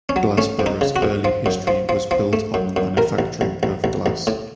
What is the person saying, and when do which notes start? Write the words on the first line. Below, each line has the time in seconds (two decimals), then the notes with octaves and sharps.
Glassboro's early history was built on the manufacturing of glass.
0.09 C#4
0.16 F#3
0.38 A3 C#4
0.59 F2
0.66 D#4
0.81 C#3
0.96 F#4
1.02 F2
1.25 F3
1.46 F#2
1.67 F3
1.89 F3
2.11 F3
2.33 A3
2.54 F#2
2.76 F#2
2.97 A1 A#4
3.19 A1
3.41 A1
3.63 A1
3.84 A1
4.06 A1
4.27 A2